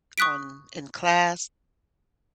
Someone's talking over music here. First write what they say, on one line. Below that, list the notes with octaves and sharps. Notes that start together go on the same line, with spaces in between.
on in class,
C#6 D#6 F#6 B6 D7